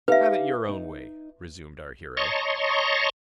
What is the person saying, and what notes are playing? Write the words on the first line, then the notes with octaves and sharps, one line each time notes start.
"Have it your own way," resumed our hero.
D#4 G4 B4 E5 F5
D#4
C#5 D#5 A5 A#5 C6 C#6